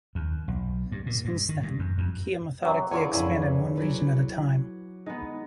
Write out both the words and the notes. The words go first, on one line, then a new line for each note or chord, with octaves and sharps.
Since then, Kia methodically expanded one region at a time.
D#2
B1
G2
A#2
G2
D#3
G2
F#2
F2
F#2 C3 F#3
E2 D3 D4 F4 C#5 G#5 C#6 D6
F2 G#2 C#3 E4 G#5
F#3 B4
G#3 B3 D#4